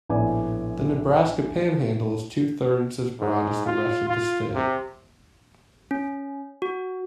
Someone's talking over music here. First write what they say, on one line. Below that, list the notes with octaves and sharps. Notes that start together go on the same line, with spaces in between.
The Nebraska panhandle is two-thirds as broad as the rest of the state.
A#1 A2 B3 D5 G#5
G#2
F4
F4
C3
C#4
F#4